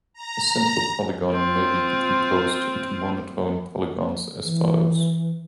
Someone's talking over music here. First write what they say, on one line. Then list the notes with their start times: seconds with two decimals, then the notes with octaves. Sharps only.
A simple polygon may be decomposed into monotone polygons as follows.
0.13 A#5
1.29 C4 F4
4.44 E3